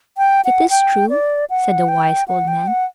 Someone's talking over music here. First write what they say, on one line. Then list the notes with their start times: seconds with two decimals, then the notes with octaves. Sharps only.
"It is true," said the wise old man.
0.18 G5
0.45 F#5
0.70 G5
1.10 D5
1.50 F#5
1.88 G5
2.28 F#5
2.48 G5
2.67 F#5